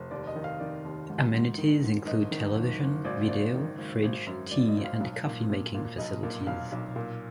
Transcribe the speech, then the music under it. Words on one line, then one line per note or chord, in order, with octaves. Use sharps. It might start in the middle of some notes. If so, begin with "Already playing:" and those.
Amenities include television, video, fridge, tea and coffee making facilities.
Already playing: F1
D#2 D5
D#5
D#3
F5
D#3 D5
D#2
G#2
G#2
D#3
G#2
F#1 D#5
D#3
F#1
F#1
G#1 D5
G#1 D5
D#3
G#1
G#1
F#2
G#1 D5
D#5
G#1
F5
B1
A#2
A#2
A#2
B1 D#5
A#2
B1 F5
B1
A#2